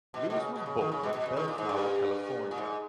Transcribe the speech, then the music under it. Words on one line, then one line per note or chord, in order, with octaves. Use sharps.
Lewis was born in Bellflower, California.
B2
B2
C#3
B2
C#3
D#3
C#3
B2
B2
C#3
D#3
A#2
G#2
G2
A#2
G#2